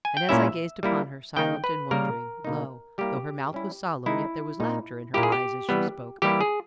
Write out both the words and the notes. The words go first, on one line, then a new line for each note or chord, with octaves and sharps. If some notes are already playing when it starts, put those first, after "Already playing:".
And, as I gazed upon her, silent and wondering, lo! though her mouth was solemn yet there was laughter in her eyes as she spoke.
G#5
G5
A#2 A#3 C#4 E4 E5
G3 A#3 E4
D#3 A#3 D#4 G5
B4
C#3 G3 A#3 A#4
B2 A#3 D#4
G3 A#3 E4 G4
G3 C#4 E4
D#3 G#3 D#4 E4
A#2 A#3 D#4
A#2 A#3 E4 G4
G#4
G4
E3 G3 B3
E3 G3 A#3 E4 G4
G#4